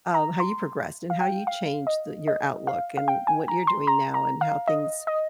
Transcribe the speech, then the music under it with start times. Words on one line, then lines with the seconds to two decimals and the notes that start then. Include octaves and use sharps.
um, how you progressed and how you changed the your outlook and what you're doing now and how things,
0.14 A#5
0.40 C6
1.10 F5
1.21 G5
1.47 F5
1.87 D#5
2.28 D#5
2.67 F5
2.97 F5
3.08 G5
3.27 G#5
3.48 A#5
3.67 C6
3.87 A#5
4.14 A#5
4.41 F5
4.68 D#5
5.07 D#5